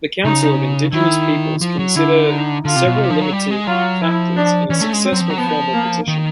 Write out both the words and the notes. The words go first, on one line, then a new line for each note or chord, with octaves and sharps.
The Council of Indigenous Peoples consider several limited factors in a successful formal petition.
C#3 D#4
D#3 E4
F3
F#3
D3 E4
D#4
D3 F4
C3
B2
C3
F3
F#3
G3
G#3
F#3 F4
F3 E4
D4
E3 C#4
A3
G#3
C4
F#3
F3
F#3
F3 B3
A#3
D#3